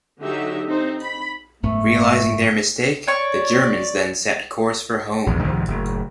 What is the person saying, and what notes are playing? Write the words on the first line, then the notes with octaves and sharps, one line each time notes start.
Realising their mistake, the Germans then set course for home.
D3 F#3 D#4 G4 E5
C4 D#4 C5
B5
F#1 G#2 A3 B3
C#5 D5 C#6
A#1 E2 G#2
C2 G#2 D#3 F3
F#1 A2